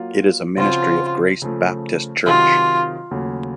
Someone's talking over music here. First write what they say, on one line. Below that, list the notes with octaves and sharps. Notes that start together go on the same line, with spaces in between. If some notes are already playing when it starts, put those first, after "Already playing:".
It is a ministry of Grace Baptist Church.
Already playing: F#3 A#3 F4
C#3 F3 C4 F4 F#4 C5
C#3 F3 A3
C3 D#3 F#3 F4
D#2 C#3 F#3 A3